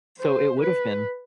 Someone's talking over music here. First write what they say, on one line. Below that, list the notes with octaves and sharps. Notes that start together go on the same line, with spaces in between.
so, it would've been
C5
B4